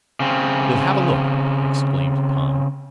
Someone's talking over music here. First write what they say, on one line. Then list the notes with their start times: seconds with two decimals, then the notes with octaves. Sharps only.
"We'll have a look!" exclaimed Tom.
0.20 C#3 C4